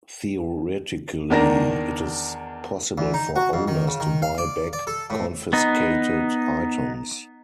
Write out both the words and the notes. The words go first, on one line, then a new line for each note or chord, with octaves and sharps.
Theoretically, it is possible for owners to buy back confiscated items.
E2 D#3 D4 A#4 A#5 A#6
E2
D#4
F#4
F2
D#3
C#3
D#3
F5
D5
D5
A4
A2
B3 D#4